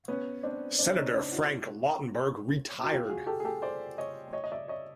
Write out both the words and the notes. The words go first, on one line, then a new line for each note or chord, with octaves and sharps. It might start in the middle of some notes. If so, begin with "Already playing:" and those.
Senator Frank Lautenberg retired.
B3 C#4
C4 D4
C4 D4
C#4 D#4
C4 D4
E4 F#4
F#4
F4 G4
F#4 G#4
G4 A4
G#4
G4 A4
C5 D5
C#5 D#5
C#5 D#5
D#5
D5 E5
C#5 D#5